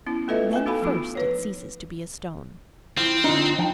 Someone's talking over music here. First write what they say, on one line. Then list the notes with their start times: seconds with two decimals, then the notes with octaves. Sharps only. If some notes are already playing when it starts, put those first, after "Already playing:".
Then first it ceases to be a stone.
0.07 B3 C#4 E4
0.28 A3 F4 A4 B4 D#5 E5
0.53 A3 G#5
0.66 B3 D#4 F#4 A4 F5 B5
0.82 F3 D4 D#4 F4
1.15 B4 C#5
2.97 F3 C4 E4
3.24 F2 D3 D4 D#4 F4
3.58 F3 D#4 G5 A5